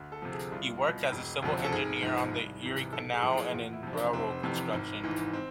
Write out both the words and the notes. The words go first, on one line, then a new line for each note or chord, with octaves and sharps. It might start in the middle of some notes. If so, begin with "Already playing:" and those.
He worked as a civil engineer on the Erie Canal and in railroad construction.
Already playing: D2
A4
C3 F3
G#4
C2 F4
B2
E1
D2 C3 F3
A4
G#1 G#4
G#2 F3
C2
C3 E3
B1 A4
G#4
A2 F3
G#4
E2 F4
E4
C3 F3
D4
F1 C4
F2 C3 E3
G#1
G#2 E3
C4